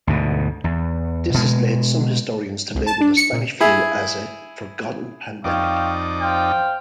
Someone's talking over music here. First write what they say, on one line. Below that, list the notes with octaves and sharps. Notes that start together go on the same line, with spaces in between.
This has led some historians to label the Spanish flu a "forgotten pandemic".
D2 G#2 B2
E2
B2 G#3
C2
A5
D4
C#7
A#2
E4 G#4
F2 D#4 D5 F5 G5 C#6
C5 F5 G5